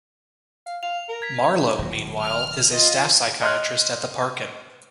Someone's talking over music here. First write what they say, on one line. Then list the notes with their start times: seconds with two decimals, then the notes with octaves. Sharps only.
Marlow, meanwhile, is a staff psychiatrist at the Parkin.
0.66 F5
0.83 F5 F7
1.09 A#4
1.22 G#6 B6
1.79 D#1 F#3
2.22 F6
2.71 F4 D#5
3.42 D#5 C6 F6 F#6